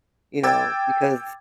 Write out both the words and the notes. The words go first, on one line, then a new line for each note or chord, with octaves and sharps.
you know, because
G5 D6 E6 G#6 A6